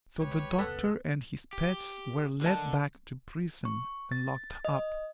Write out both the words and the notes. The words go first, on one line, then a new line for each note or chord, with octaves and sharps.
So the Doctor and his pets were led back to prison and locked up.
B1 G#3 G4 B4 C#5
F1 C#2 B3 A4
G4
D3 A#4 D#5 A5
C#6
A6
D#5